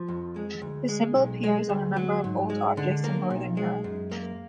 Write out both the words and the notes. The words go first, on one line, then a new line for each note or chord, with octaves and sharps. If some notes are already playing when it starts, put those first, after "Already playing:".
The symbol appears on a number of old objects in Northern Europe.
Already playing: F3
F2
G#3
D2
G#3
B1
G#3
D2
F#3
G#2
G#3
D3
A#3
B1
G#3
F#2
A#3